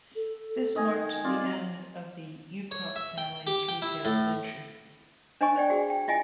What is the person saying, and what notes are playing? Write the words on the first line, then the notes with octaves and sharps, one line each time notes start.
This marked the end of the Ukrop family's retail venture.
A4
D#3 D#5 G#5
C4 F4 D5
C#5
E5
G5
G4
G5
E4
A2
D4 C5 D#5 G#5 C#6
C5 D5 G5
F#4 G#4
G5
E4 F4 D#5 E5 G#5